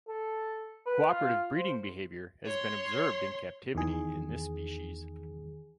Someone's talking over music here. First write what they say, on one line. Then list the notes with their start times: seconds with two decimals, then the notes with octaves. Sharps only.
Cooperative breeding behavior has been observed in captivity in this species.
0.08 A4
0.86 B4
1.11 F4
1.58 C5
2.46 C#5 C6
3.75 E2 D#3 G#4